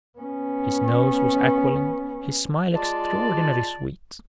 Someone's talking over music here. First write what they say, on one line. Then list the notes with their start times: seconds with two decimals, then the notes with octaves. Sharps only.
His nose was aquiline, his smile extraordinary sweet.
0.19 B3 C#4
2.76 G#3 F4 D5 A5